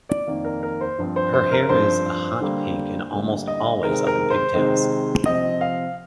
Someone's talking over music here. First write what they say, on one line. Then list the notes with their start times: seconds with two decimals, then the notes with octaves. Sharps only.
Her hair is a hot pink and almost always up in pigtails.
0.09 D5
0.27 F2 D#3 A#3
0.44 A#4
0.63 A#4
0.81 C5
0.98 G2 F3 C4
1.16 C5
1.33 C5
1.51 A#4
1.69 G2 F3 C4 C5
2.40 D3 G3 A#3
3.12 D3 G3 A#3
3.47 D#5
3.83 C3 D#3 G#3 C4 A#4
4.07 A#4
4.30 C5
4.54 C3 D#3 G#3 C4
5.26 C3 F3 C4 D#5
5.61 F5